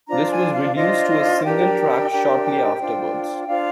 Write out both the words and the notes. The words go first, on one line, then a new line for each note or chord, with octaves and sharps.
This was reduced to a single track shortly afterwards.
D4 F4 C5 A#5
G#5
F5
D4 F4 C5 D#5
D#5
D4 G4 A#4 G5
D4 G4 A#4
D4 F4 C5
D4 F4 C5 F5